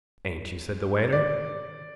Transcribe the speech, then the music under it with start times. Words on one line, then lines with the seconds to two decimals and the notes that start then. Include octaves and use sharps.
'Ain't you?' said the waiter.
1.12 D5